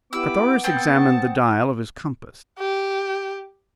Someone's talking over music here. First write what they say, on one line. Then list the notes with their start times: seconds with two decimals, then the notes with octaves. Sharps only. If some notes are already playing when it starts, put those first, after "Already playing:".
Carthoris examined the dial of his compass.
0.13 B3 E4 G4 B5 D6 E6
0.64 C4 F#5 G5 A5 D#6
2.58 G4